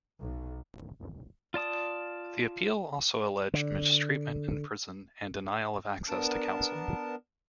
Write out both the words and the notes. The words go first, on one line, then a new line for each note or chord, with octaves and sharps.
The appeal also alleged mistreatment in prison and denial of access to counsel.
B1
F4 D5 A5 D#6
D3
B3 D4 A#4 A5